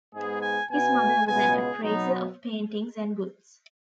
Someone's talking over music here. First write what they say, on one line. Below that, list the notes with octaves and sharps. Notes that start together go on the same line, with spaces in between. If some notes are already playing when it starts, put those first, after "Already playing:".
His mother was an appraiser of paintings and goods.
G#2 G#3 B3 G#4
G#5
B2 B3 G#5
C#2 B2 G#3 B3 G#5
G#4
B2 F#3 B3 D#4